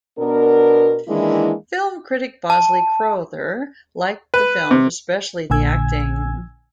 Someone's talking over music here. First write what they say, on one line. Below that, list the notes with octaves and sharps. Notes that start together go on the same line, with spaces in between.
Film critic Bosley Crowther liked the film, especially the acting.
B2 B3 D4 A#4
D#3 E3 G#3 A#3 D4 E4
A5
B4
C3
A#1 A#2 D3 G#5 E6 G#6